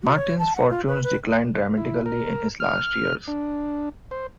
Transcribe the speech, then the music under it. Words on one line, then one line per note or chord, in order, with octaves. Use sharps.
Martin's fortunes declined dramatically in his last years.
F#4
C#5
A5
F#5
F4
B4
B4
E4
A#4
F6
D4
C5